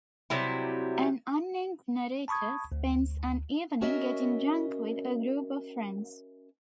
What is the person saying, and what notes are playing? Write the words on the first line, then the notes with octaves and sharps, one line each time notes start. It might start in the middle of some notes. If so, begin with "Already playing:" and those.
An unnamed narrator spends an evening getting drunk with a group of friends.
C3 F#3 G3 E4
A5 B5 C#6 D#6 G#6
D2
C#4 F#4 A#4 C#5 D#5 E5